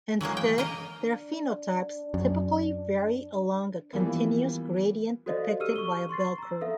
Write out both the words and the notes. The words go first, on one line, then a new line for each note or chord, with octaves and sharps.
Instead, their phenotypes typically vary along a continuous gradient depicted by a bell curve.
E3 F#3 G#3 A#3
G5
A#3 A#4 D#5 A#5
D4
F#2
E3 F3 G3 A#3 B3
F#4 A4 C5 D5 D#5 F5
G4 A4 E6 F6 D#7
C#6 G7
C6 C#6 A6 C7
A#5 E6
A4 E5 F5